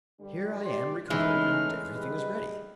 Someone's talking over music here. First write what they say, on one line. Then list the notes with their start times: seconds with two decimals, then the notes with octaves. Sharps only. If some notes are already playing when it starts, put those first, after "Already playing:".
"Here I am recovered and everything is ready."
0.20 G2 D3 G3
0.65 G4 D5 C6
1.10 E3 G#3 A3 C#4 D#4 F6
1.94 G3 G#4 B4 D#5